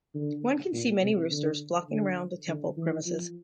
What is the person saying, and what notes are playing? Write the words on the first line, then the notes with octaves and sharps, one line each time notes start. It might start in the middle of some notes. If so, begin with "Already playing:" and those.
One can see many roosters flocking around the temple premises.
D3
A#2
C3
D3
D3
D3
E3
F3